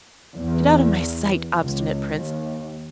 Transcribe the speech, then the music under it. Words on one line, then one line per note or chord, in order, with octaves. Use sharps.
'Get out of my sight, obstinate Prince.
E2
C#2
D#2